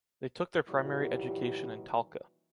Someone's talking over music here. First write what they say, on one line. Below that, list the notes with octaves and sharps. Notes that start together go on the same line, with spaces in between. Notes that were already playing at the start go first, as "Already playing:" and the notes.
They took their primary education in Talca.
A#2 D#3 E3 F#3 G3